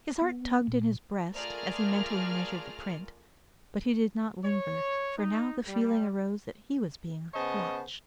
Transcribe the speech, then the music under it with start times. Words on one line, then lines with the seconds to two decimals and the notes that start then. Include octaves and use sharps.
His heart tugged in his breast as he mentally measured the print, but he did not linger, for now the feeling arose that he was being watched.
0.22 B3
0.68 A#2
1.34 A3 F4 G#4 A#4 D5 F6
4.44 C#5
5.18 D#4
5.67 G3
7.34 C#3 B3 C5 C#5 D#5 A5